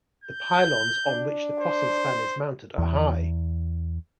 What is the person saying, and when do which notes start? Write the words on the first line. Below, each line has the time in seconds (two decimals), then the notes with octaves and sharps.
The pylons on which the crossing span is mounted are high.
0.24 G6
1.06 D4
1.60 C5
2.78 E2